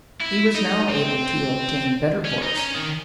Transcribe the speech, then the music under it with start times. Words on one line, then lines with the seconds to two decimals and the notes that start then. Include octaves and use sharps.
He was now able to obtain better books.
0.21 E4
0.55 D#4
0.89 C4
2.25 C#4
2.43 D#4
2.58 C#4
2.76 D#3